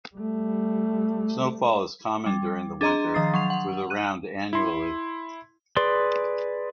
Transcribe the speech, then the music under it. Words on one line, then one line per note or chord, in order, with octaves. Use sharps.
Snowfall is common during the winter, with around annually.
G3 A3
G3
D4 G#4 D#5 A#5 C6
D#3 F3 D#6 A6 C7
F#3 C6 F7
F#5
F#6 D#7
E4 C6
G#4 B4 D5 C6